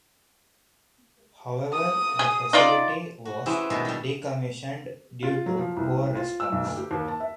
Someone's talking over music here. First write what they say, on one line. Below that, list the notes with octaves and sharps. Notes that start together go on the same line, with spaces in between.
However the facility was decommissioned due to poor response.
D#6
G#4
D#4 F4 D5
F#4
E3 C4 C#4 E4 G4 G#4
B2 D3 D#3 G#3
D3 G3
F4
F#3
F3
C2
F4
E6
B1
D2
G4
D#2
A5
E5